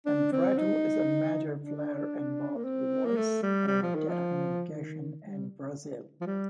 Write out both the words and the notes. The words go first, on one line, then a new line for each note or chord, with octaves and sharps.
Embratel is a major player in both voice and data communication in Brazil.
D4
C4
D#4
D4
A#3
C4
A#3
A3
G3
G3
F3
D#3
F3
D#3
G3
F3
G3